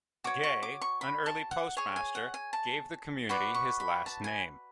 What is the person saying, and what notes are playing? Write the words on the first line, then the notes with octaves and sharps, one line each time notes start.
Gay, an early postmaster, gave the community his last name.
F#4 C#5 D6
C#6
D6
C#6
B5
A5
F#5
G#4 C#5 G#5
G#5
F#5
G#5
A5
F#4 B4 D5 B5
C#6
B5
A5
G#5